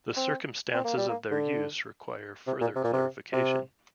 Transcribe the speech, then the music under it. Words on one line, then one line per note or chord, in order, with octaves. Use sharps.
The circumstances of their use require further clarification.
C4
C4
A#3
G3
A#3
D3
C3
A#2
C3
A#2
C3
C3